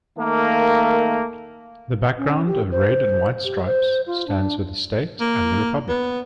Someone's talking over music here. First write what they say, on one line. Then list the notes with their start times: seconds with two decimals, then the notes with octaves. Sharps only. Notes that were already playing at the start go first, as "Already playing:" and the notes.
The background of red and white stripes stands for the state and the republic.
0.17 D#3 A3 A#3
2.16 C#4
2.46 G4
2.71 C5
3.43 G4
3.65 C5
4.06 F4
4.27 D4
5.20 A#3
5.89 B3